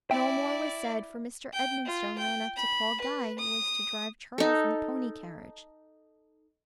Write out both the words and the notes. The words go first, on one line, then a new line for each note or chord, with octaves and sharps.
No more was said, for Mr. Edmonstone ran up to call Guy, who was to drive Charles in the pony-carriage.
E4 D5 E5 G5
G5
F4
G5
B5
B4
D#6
D#4 A4